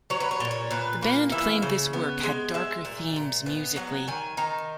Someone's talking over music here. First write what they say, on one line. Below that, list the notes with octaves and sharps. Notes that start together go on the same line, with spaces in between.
The band claimed this work had darker themes musically.
F#3 C#5
B4
C#5
A#2
C#5
A#2 B4
A#3
E3 E5
C#3
B3
G#3
G#3 E5
A#2
A#2
B3
F#3 F#5
D#3 G#5
D#3 A#5